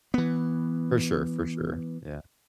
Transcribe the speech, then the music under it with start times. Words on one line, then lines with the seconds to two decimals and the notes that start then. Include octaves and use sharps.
For sure, for sure. Yeah.
0.14 E3 B3